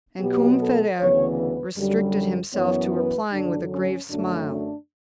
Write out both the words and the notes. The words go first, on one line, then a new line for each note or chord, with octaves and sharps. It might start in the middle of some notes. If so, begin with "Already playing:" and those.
And Combeferre restricted himself to replying with a grave smile.
B2 F#3 B3 G4
A4
D2 C#3 E3 B3 C#5
B4
F#2 D3 G3
F#2 E3 B3 C#5
B4
F#2 D3 F#3 D4
C#4
F#2 D3 F#3 A3 D4
D4